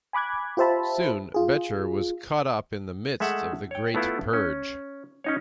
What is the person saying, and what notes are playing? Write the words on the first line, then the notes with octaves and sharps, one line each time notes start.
Soon Becher was caught up in the midst of the Great Purge.
G#5 B5 D6 F#6 G#6
F4 G4 C5 E5 A5 B5
F4 G#4
G#3 A3 E5 F#5
C#5 G5
A3 B3 E4 F4
C#4
C#4 D#4 C#5